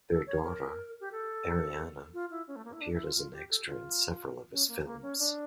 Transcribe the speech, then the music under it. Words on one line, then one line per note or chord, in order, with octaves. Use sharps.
Their daughter, Arianne, appeared as an extra in several of his films.
A4
C#5
A#4
G4
A4
F4
E4
C#4
A3
A#3
E4
D4
E4
F4
F4
G4
A4
F4
C#4
A#3
A#3
C#4
D4